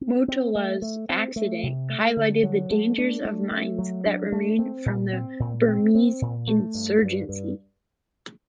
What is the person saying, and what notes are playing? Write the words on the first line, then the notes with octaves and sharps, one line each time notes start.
Motola's accident highlighted the dangers of mines that remain from the Burmese insurgency.
C4
C4
A3
A3
C4
A3
C3
A3
D3
F#3
A3
D4
A3
A3
F#3
D4
A3
C4
A#2
C4
A#2
C4
C4
A#2
A3
G2
G2
G2